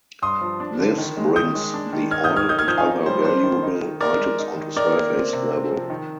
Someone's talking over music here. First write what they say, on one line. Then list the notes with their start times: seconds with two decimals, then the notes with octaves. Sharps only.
This brings the oil and other valuable items onto surface level.
0.22 G2 C6 D#6
0.41 F3
0.60 D4
0.79 D3
0.98 D#3
1.17 G#3
1.36 D#3 D#6 G6
1.55 G#3
1.74 D4
1.93 D#3
2.11 D#4 F6 G#6
2.24 D#6 G6
2.30 D#3
2.36 F6 G#6
2.49 D#4 D#6 G6
2.59 F6 G#6
2.68 F3 D#6 G6
2.78 F5 G#5
2.87 D#4
3.06 G3 C5
3.25 D4 C5
3.43 D#3
3.63 D#4
3.82 D#3
4.01 D#4 A#4 D5
4.19 G#3
4.39 D#4
4.57 D#3
4.77 D#3 A#4 D5
4.95 A#3
5.14 C4
5.33 C3
5.51 C4
5.71 F3
5.90 D#3